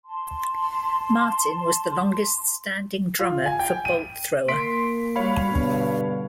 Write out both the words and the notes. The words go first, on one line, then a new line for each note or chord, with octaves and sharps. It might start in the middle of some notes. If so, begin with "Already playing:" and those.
Martin was the longest standing drummer for Bolt Thrower.
A5 C6
F4
G#5
G5
D#7
A#3 C6 B6 D7
G3 F#4 C#5 F5 B5
G2 B2 D3